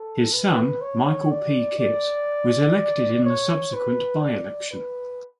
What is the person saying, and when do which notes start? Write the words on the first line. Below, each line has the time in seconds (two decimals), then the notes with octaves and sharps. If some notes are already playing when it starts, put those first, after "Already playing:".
His son Michael P. Kitt was elected in the subsequent by-election.
Already playing: A4
0.33 B4
0.81 C#5
1.30 D5
1.79 D5
3.25 C#5
3.73 B4
4.21 D5
4.71 B4